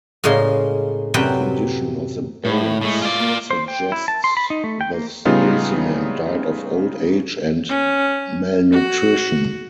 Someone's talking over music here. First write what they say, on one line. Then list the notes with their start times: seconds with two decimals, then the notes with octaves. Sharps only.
The condition of the bones suggests the specimen died of old age and malnutrition.
0.24 A2 C#3 G#3 A#3 C6
1.14 F#2 C3 C4 B4 G5
2.45 A2
2.59 E4
2.82 A2 G#3 A3
3.02 F4 D5
3.20 A#3
3.51 C5
3.68 G5
3.92 E4
4.08 A5
4.24 C6
4.37 B5
4.50 D#4
4.64 A3
4.81 G5
4.94 A#3
5.25 A2 C#3 G3 B3 D#4 F4
7.69 C#4
8.72 F#4